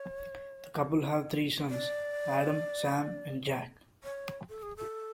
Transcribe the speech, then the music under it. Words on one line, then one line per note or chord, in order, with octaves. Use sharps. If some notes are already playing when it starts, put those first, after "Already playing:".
The couple have three sons: Adam, Sam and Jack.
Already playing: C#5
D5
C#5
A4
G#4
A4